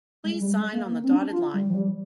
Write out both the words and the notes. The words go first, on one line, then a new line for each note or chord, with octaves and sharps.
Please sign on the dotted line.
G#3
G3
G#3
A#3
A#3
C4
D4
F4
G3
F3
G3